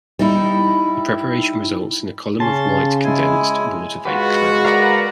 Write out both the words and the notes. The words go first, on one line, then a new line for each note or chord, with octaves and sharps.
The preparation results in a column of white condensed water vapour cloud.
G3 D#4 E4
C#3 C#4 A5 C6
G#3 E4 G#5
G#3 F4 F#4 B4
A#4 B4 D5 F5 F#5 A#5